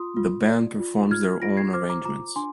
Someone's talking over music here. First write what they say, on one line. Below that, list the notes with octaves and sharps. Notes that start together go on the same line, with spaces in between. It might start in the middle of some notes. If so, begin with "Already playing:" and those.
The band performs their own arrangements.
Already playing: F4 C6 D#6
F4
D5
F4
F4 F6 G#6
F4 A#6 D7
G#6 C7
C5 D6 F6
A#5 D6
F4 A#5 D6
D4 G#5 C6